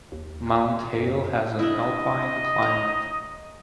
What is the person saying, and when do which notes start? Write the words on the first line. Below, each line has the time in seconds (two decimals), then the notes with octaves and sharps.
Mount Hale has an alpine climate.
0.12 D#2
0.99 F#2
1.59 D4 E4 D#5
2.62 A#5